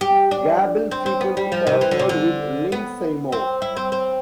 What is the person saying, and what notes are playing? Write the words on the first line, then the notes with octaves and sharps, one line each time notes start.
Gable frequently partnered with Lynn Seymour.
G4
D4
C4
C4
B3
G3
F3
C3
E3
D3
C3
D3
B3
C4
E4
C4
C4